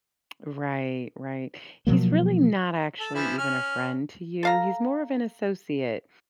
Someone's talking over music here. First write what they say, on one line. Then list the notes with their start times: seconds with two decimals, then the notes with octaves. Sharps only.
Right. Right. He's really not actually even a friend to you. He's more of an associate,
1.87 B2 F3 F#3 A#3
3.00 A4
3.15 E3 F3 E4
3.38 C#4 F6
4.43 A4 F5 A#5